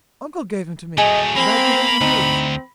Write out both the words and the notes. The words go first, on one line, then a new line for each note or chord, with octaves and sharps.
Uncle gave him to me, and I give him to you.
F#3 A3 G#4 D#5
A#3 C4 B5
D2 C4 D#4